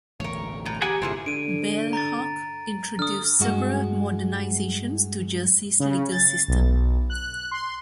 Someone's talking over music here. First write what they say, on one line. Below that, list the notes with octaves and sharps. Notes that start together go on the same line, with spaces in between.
Bailhache introduced several modernizations to Jersey's legal system.
E1 A1 D2 A#4 C#5
A2 A#5
G4 G#4 A#4 F#5 G#5
G1 C2 G#2 E3 E4 F4 G#4
D3 D7 D#7
A#5 A6
D3 D#6 F6
G2 G#3 F#4
C#3
A6
B1
F#6
C6